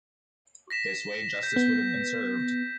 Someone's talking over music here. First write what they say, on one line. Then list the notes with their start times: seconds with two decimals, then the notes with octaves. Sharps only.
This way, justice would have been served.
0.70 A#6 B6 E7
1.43 G6 B6
1.56 B3